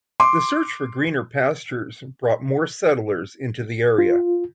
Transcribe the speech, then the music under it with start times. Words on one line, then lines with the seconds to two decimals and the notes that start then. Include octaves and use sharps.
The search for greener pastures brought more settlers into the area.
0.20 C6 D6
3.98 F4